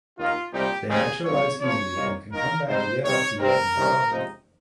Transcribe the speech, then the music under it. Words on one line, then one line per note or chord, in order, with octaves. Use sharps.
They naturalize easily and can come back year after year in the garden.
D#2 D#3 A#3 D#4 F4
C2 A#2 G3 C4 D#4 G4
D#2 C#3 G#3 C4 D#4 G#4
C2 A#2 F3 C#5
C3 F3 A#3 C#5
C2 A#2 G3 A#3 D#4
D#2 D#3 A#3 D#4 A#4
G#2 G3 C4 D#4 C5
C3 D#3 G3 C4 C#5
C2 C3 G3 C4 A#4
C2 C3 D#3 G3 C#4
C#2 C3 F3 C4 D#4